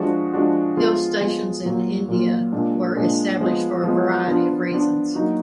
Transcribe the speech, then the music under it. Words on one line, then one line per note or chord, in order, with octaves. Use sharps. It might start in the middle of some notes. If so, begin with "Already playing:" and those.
Hill stations in India were established for a variety of reasons.
Already playing: F3 G#3 D4 F#4
F3 G#3 D4 F#4
F3 G#3 B3 F4 G#4
F3 G#3 B3 F4 G#4
A#2 F#3 A#3 F4
A#2 F#3 A#3 F4
A#2 G#3 D4
A#2 G#3 D4
F3 G#3 B3
F3 G#3 B3
F3 B3 D4 F4
F3 B3 D4 F4
F#3 A#3 D#4 F#4